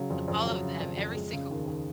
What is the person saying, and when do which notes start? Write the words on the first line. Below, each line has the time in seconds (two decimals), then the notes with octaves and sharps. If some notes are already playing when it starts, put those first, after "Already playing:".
All of them, every single one,
Already playing: C#3 F#3
0.10 F2
0.28 F2
0.45 F#3
0.63 C#3
0.80 F2
0.97 F2
1.15 G#3
1.33 C#3
1.50 D#2
1.67 D#2